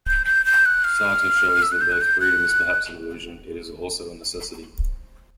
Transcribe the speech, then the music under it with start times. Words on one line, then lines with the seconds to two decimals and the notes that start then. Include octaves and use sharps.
Sartre shows that though freedom is perhaps an illusion, it is also a necessity.
0.07 G6
0.26 G6
0.46 G6
0.65 F#6
0.84 F6
1.62 E6
1.72 F#6
1.81 G6
1.92 F#6
2.01 G6
2.20 F#6